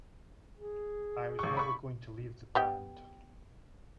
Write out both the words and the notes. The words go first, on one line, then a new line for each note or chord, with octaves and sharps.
I was never going to leave the band.
G#4
G#1 C#6
B5 C#6
B3 G4 G5